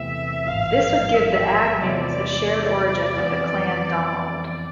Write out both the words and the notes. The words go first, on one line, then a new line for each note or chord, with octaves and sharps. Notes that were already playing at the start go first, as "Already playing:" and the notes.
This would give the Agnews a shared origin with the Clan Donald.
Already playing: E2 C3 E3 A3 C4 E5
A1 G#2 F3 F5
E5
E2 C3 G#3 B3 E4 D5
F2 E3 B3